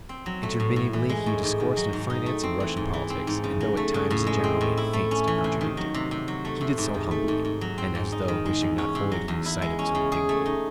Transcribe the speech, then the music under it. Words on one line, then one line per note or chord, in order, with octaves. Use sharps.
Interminably he discoursed on finance and Russian politics, and though, at times, the General made feints to contradict him, he did so humbly, and as though wishing not wholly to lose sight of his own dignity.
C4
F#3
A3
A2
A2
E3
G#3
A2
G#2
D#3
F#3
G#2
D#4
A3
C4
E3
G#2
E3
C4
G#2
C#3
F#3
A3
C#3
A2
G#3
C4
A2
E4
A3
C#4
E3
C3
D#3
F#3
C3
C3
F#3
A3
C3
G#2
D#3
A3
G#2
G#2
F#3
C4
G#2
D#4
D#3
G#3
E2
C#4
C3
F#3
E2
E4
G#3
C#4
C#3
G#4
A3
D#4